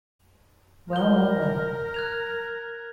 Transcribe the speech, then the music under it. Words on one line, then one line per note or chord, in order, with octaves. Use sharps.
Well, well, well!
A#4 G6 G7
F#6 G#6 F7